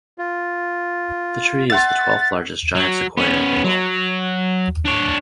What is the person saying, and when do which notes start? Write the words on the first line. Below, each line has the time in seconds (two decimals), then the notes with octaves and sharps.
The tree is the twelfth largest giant sequoia in the world.
0.18 F4
1.70 E5 F#5 C6 A6
2.75 F#3
3.17 B3 C#4
3.65 F#3
4.85 D4 C#5